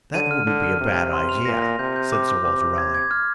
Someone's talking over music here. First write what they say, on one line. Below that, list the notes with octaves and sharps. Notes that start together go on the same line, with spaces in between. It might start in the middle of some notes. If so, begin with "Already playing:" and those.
"That wouldn't be a bad idea," said Sir Walter Raleigh.
D3 D#7
F6
D3 F6
F6
C3 F6
F6
C6
F7
A#2 A#6
A#6
C3 G6
G6
D6
D6
C3 D6
D6
G#6
G#6
F6